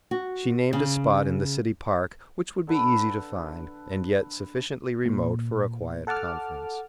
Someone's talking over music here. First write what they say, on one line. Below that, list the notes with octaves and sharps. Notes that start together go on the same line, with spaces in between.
She named a spot in the city park which would be easy to find, and yet sufficiently remote for a quiet conference.
F#4
C#3
D3 A4 B4 B5
A#2
A4 F#5 A5 D6 F6